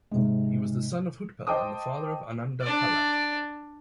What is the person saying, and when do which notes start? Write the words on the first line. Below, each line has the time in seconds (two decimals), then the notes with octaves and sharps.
He was the son of Hutpal and the father of Anandapala.
0.11 G#2 C3 G#3
1.47 C5 D#5 G5 A5 D6 D#6
2.62 D4 D5